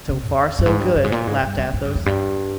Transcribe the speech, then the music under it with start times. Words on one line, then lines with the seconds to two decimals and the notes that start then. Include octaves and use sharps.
"So far, so good," laughed Athos.
0.09 C#3
0.29 E2
0.59 G2
0.66 G#2
0.80 G2
0.96 G2
1.04 G#2
1.12 A#2
1.27 G#2
1.43 G2
1.58 E2
1.73 G#2
1.85 G2
1.95 E2
2.06 G2